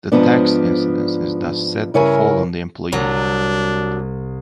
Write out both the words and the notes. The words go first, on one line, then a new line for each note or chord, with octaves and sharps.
The tax incidence is thus said to fall on the employee.
G#2 F3 B3 D4
G2 C#3 E4 A#4 C#5 G#5
C2 F#3 D4